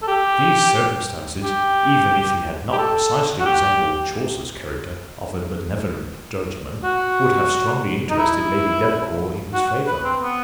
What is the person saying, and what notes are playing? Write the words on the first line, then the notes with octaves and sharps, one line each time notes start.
These circumstances, even if he had not precisely resembled Chaucer's character of a benevolent clergyman, would have strongly interested Lady Delacour in his favour.
A4
G4
G4
G4
A4
F#4
G4
F#4
D#4
E4
F#4
B4
C4
B3